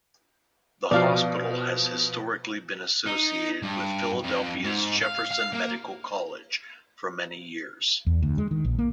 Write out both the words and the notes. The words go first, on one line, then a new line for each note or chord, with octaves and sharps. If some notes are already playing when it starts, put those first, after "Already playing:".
The hospital has historically been associated with Philadelphia's Jefferson Medical College for many years.
B2 F3 D5 F5
D#4
G2
F2
G#2
F5
F5
A#3
E2
D2
G#3
D#3
A#1
A#3